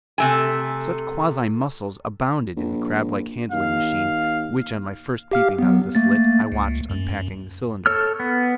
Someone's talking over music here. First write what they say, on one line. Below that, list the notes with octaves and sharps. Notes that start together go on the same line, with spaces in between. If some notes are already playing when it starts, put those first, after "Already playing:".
Such quasi-muscles abounded in the crablike handling-machine which, on my first peeping out of the slit, I watched unpacking the cylinder.
C3 A3 G#5
A#1
D#2 F5
G4 F5 F6
F#3 B3
A3 A#3 A6
C#2
F#2
A4 C#5 E6 F6
B3